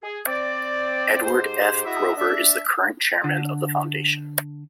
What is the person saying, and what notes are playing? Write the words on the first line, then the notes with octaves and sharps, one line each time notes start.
Edward F. Rover is the current chairman of the Foundation.
G#4
C4 D5
G#2 G4 C5
E4 F#4 G#4 D#5 E5
D4 E5
D3